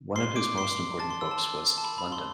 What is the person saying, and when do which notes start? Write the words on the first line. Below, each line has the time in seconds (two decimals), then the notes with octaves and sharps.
One of his most important books was "London".
0.16 C6 C7
0.36 D6 D7
0.58 C6 C7
1.00 A5 A6
1.10 C6
1.21 E6
1.31 A5
1.78 A5
1.84 B5
1.98 B5
2.12 C6